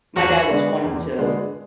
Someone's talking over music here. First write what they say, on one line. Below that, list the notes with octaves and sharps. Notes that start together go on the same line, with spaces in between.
my dad was one to
E2 F#4
D3 G#3 B3 D4
E2
D3 G#3 B3 D4